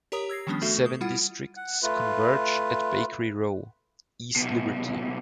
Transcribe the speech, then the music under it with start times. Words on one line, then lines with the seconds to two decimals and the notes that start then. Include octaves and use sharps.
Seven districts converge at Bakery Row: East Liberty.
0.12 G4 A#4 C#5 A#5 D#6
0.29 E6 G#6 A#6 C7
0.47 D#3 F3 G3 B3 C#4 D4
0.62 A3 F#4 A4 E5 C7
0.86 D#6
1.01 G3 E4 F4 F#5
1.56 F#5
1.83 A3 F4 B4
4.36 C2 B2